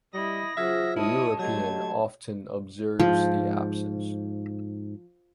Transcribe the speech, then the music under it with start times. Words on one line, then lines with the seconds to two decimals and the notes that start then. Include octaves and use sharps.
The European often observes the absence.
0.14 G3 E4 D#5 B5 D#6 A#6
0.57 C#3 F#3 F4 F#4 G#4 C5 E5
0.96 E4 C#5 D#5 A5 D#6
1.39 D3 F#3 A3 G4 D#5 G#6
2.99 G#2 F3